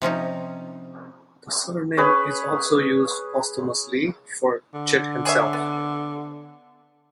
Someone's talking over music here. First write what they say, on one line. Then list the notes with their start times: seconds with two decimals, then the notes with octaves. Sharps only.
The surname is also used posthumously for Chit himself.
0.02 C3 F3 C#4 D#4
1.97 C#4 G#4 B4 C#5
4.74 D3
5.25 G#4 C#5 E5
5.53 B3